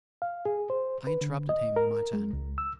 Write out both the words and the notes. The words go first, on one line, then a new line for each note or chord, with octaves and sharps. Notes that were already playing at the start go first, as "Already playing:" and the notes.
I interrupted him in my turn.
F5
G#4
C5
B4
D3
D#5
A#4
G#3
C#2
E6